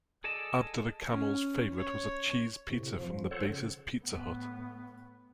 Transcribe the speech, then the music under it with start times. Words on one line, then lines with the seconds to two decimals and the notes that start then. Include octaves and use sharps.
Abdullah Kamel's favorite was a cheese pizza from the base's Pizza Hut.
0.24 G#4 A4 D5 D#5 A5
1.09 C#4
1.76 C#5
2.70 A2 C3
2.94 F2 F3
3.31 A4 C5 C#5 F#5
3.50 C#3
4.03 A2 B3